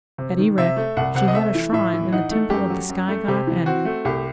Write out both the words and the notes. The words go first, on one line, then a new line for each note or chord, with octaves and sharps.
At Erech she had a shrine in the temple of the sky god Anu.
C3
D#3
C3 E5
A3
C2 F#5
C3 F#5
D#5
A3 E5
E3
A2 E5
E3
D#4 F#5
A3
F#2 G4
F#3
F#2
A3
C3 G4
E3
C4 F#4
A3
C2 G4